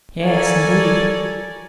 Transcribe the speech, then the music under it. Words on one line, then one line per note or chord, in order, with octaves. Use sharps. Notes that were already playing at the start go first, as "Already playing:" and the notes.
"Yes, indeed."
A4 A#4 C#5 D5 G#5